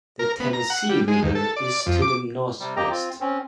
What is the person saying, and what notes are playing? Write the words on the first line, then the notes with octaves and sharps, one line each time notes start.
The Tennessee River is to the northwest.
A#4
B3
A#5
F#5
G3
G#3
D#2
A4
D5
F2
D6
C3 G3
F2 A#3 G4 D#5 G5 A#5
C4 F4
C4 C#4